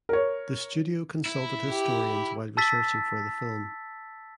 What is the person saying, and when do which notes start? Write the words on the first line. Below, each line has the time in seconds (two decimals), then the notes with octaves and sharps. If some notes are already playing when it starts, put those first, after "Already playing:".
The studio consulted historians while researching for the film.
0.09 A#4 C#5
1.26 E4
1.71 G4
2.57 A5 E6 A6 B6